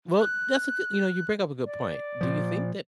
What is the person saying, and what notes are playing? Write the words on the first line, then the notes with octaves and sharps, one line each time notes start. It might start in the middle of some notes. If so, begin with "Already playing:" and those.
Well, that's a g you know, you bring up a good point. Do you think that
F#6
D5
A#2 F3